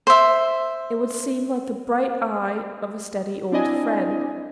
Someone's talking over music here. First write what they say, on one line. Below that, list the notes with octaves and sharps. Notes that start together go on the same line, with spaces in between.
It would seem like the bright eye of a steady old friend.
C5 E5
C4 D4 E4 D5 D#5 G#5